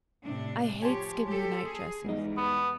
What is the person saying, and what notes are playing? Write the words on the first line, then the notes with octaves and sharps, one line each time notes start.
I hate skimpy night-dresses.
A2 C3 D4
F3 G4 C#5 G#5 A5 C6
G4 A4
G#4
E2 G3 G#3 D#4
B3